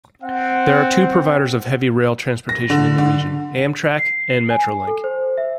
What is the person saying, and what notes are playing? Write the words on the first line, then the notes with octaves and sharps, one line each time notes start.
There are two providers of heavy rail transportation in the region, Amtrak and Metrolink.
C4 F#5
A#6
D3
D3
C7
G#5
A4
C5
E5